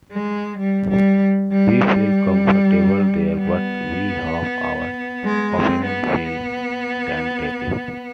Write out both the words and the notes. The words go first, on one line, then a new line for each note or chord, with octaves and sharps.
We feel comfortable there, but we hope our opponents feel tentative.
G#3
G3
G3
G3
B3
G#3
C4
B3